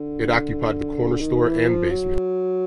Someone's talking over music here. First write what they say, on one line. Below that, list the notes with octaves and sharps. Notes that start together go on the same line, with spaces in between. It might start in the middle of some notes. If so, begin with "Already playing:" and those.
It occupied the corner store and basement.
Already playing: D3
D#3
E3
F3
F#3